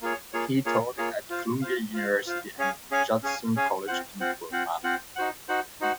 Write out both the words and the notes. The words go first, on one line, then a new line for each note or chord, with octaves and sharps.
He taught at Columbia University and Judson College in Burma.
A#3 F4 G#4 C#5
A#3 F4 G#4 C#5
A#3 F4 G#4 C#5
A#3 F4 G#4 C#5
F4 C5 F5
F4 C5 F5
F4 C5 F5
F4 C5 F5
C#4 G#4 C#5 F5 G#5
C#4 G#4 C#5 F5 G#5
C#4 G#4 C#5 F5 G#5
C#4 G#4 C#5 F5 G#5
C4 F4 C5 F#5
C4 F4 C5 F#5
C4 F4 C5 F#5
C4 F4 C5 F#5
D#4 F#4 C5 F#5
D#4 F#4 C5 F#5
D#4 F#4 C5 F#5